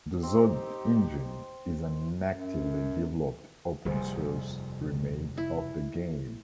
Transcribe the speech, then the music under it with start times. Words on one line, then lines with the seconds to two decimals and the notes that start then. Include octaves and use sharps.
The Zod Engine is an actively developed open source remake of the game.
0.23 C4 D#4 G4
2.29 F#2
3.85 F1 D#2 G3 G#4 C5
5.38 E4